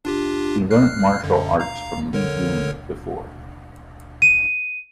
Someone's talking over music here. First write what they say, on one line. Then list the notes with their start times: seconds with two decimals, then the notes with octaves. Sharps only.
He learnt martial arts from Li Yun before.
0.05 D4 F4 G4
0.71 F6 F#6 C7
1.24 F#2 D3
1.60 F5 A#5
2.13 D3 A#4 C#5
4.22 D#7